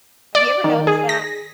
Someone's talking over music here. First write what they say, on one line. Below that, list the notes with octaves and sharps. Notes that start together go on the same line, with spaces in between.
Have you ever noticed that?
D5
D#3
G#4
A#6